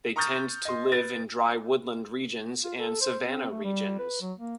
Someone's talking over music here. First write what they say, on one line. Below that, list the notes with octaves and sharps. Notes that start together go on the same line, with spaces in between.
They tend to live in dry woodland regions and savannah regions.
A#5 C#6 D#6 F6 G6 A6
D#5 C6
B4 A6 D7
F4
A4
C5
C4
A3
G3
B4
F#3
A#3